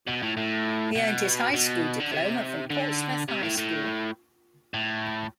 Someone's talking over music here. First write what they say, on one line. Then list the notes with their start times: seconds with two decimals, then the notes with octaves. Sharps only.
He earned his high school diploma from Portsmouth High School.
0.08 B2
0.23 A2
0.37 A2
0.95 B2
1.54 B2
2.00 D3
2.12 C3
2.70 D3
3.28 C3
3.43 A2
3.57 A2
4.74 A2